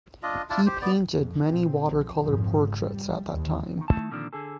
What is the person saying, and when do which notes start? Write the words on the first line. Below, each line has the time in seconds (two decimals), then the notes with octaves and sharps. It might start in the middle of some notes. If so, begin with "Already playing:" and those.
He painted many watercolor portraits at that time.
0.23 D4 F4 D#5
0.50 D4 E4 F4 A5
0.66 G4 C5
0.81 B3 D5
1.17 F2
1.48 A#2 C4
1.82 B1 F3
2.21 G#1 F2 A#2 C#3 F3
2.77 G3
3.33 D#2
3.77 E2 D#3
3.88 D#3 A3 E4 A5
4.11 A#2 D3 D#3 F3 C4 D4
4.33 D3 G#4 A4